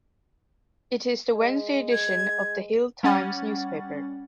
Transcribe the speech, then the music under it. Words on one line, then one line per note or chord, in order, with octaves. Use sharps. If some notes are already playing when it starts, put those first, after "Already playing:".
It is the Wednesday edition of "The Hill Times" newspaper.
G#3
G#6
G3 C#4 F#5 A6